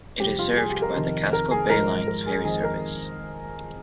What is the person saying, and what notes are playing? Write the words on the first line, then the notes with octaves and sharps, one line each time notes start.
It is served by the Casco Bay Lines ferry service.
F2 C3 G3 G4
F4
G#4
G4
A#4
F2 C3 D#3
A#4
G#4
G#2 F3 G#3 A#4
A#4
G#4
F2 D#3 G#3 G#4
A#4